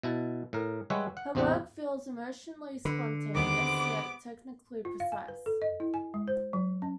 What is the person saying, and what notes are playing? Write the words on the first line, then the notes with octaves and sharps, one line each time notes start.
Her work feels emotionally spontaneous yet technically precise.
B2 E4 A5
A2 A#4
G3 G#3 B4 C#5 E5 F#5
F#5
A1 E2 C3 C4 G4 F#5
D3 B4
D#2 C3 D#3 G#3 B3 D6 D7
F4
F5
G#5
B4
A4
D#5
E4
G#5
G#3
C5
F#3
C#4